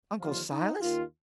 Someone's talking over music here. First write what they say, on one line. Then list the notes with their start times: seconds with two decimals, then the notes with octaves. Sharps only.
Uncle Silas?
0.19 D#2 D3 F3 F4
0.50 D#4
0.80 D#2 D#3 F4